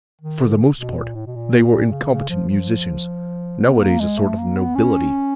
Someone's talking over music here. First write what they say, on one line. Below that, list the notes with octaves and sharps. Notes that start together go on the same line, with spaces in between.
For the most part they were incompetent musicians--nowadays a sort of nobility.
D#3
D3
B2
A#2
A2
B2
A#2
A#2
C#3
C#3
F3
F3
B3
A#3
G#3
A3
A#3
B3
C#4